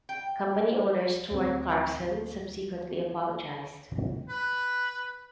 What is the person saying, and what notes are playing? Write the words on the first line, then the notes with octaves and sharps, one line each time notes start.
Company owner Stuart Clarkson subsequently apologised.
G5
D2 C4
B4